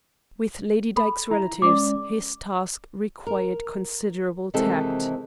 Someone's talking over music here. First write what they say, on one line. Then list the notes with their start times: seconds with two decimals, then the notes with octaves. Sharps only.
With Lady Dyke's relatives his task required considerable tact.
0.96 A4 B5
1.31 E4 A#5
1.62 G#3 C#4 D5 D6
3.27 A#4
4.54 C3 D#3 E3 G#3 C4 A4